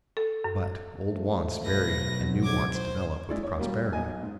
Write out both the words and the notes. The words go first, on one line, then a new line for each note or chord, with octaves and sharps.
But old wants vary and new wants develop with prosperity.
A4
F#2
F3 A3
B1 F#3 B4 A#6
F2 G#2 D6 G#6
C5
G#3 E4 D5
C#5
B2 G3 A#3
B1 D#5 G#5
G#2